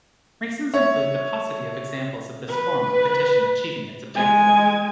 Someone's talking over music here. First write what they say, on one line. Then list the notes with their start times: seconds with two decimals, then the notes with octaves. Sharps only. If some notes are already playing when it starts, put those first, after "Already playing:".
Reasons include the paucity of examples of this form of petition achieving its objective.
0.74 C#5 E5
2.48 B4
4.15 G#3 G#5